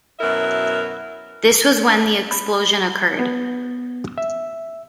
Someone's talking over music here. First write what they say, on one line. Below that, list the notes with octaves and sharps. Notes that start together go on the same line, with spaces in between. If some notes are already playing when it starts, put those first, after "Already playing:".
This was when the explosion occurred.
F#2 B2 E4 A#4 E5
B5
B3
E5